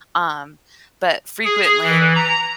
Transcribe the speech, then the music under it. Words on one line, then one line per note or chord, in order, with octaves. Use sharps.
Um, but frequently
G#4
E3
A#5